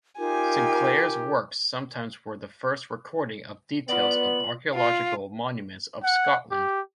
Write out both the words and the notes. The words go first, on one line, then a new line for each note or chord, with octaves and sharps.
Sinclair's works sometimes were the first recording of details of archaeological monuments of Scotland.
D#4 F4 G4 A#4 G#5
B3 F4 D5 F#7
F4
F#5
G4